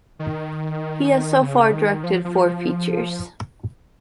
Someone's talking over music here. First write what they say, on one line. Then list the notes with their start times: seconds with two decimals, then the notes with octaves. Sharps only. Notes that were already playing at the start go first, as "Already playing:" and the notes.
He has so far directed four features.
0.19 D#3
1.42 C#3
1.73 D#3
2.04 F3
2.24 F3
2.45 F3